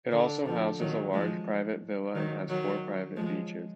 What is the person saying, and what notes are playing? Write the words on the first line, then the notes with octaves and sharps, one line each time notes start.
It also houses a large private villa and has four private beaches.
D3
D3 F3
D#3 F#3
F3 G#3
D#3 F#3
D#3 F#3
F3 G#3